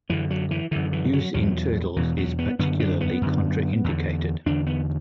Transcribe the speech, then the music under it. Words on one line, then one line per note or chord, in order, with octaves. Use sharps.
Use in turtles is particularly contraindicated.
F#2 D3 E3
F#3
E3
F#2 D3 E3
E3
F#3
E2 B2 F#3
E2 B2 E3
F#3
B3
F#2 D3 B3
D4
B3
F#2 D3
E2 D3
E2 D3 D4
B3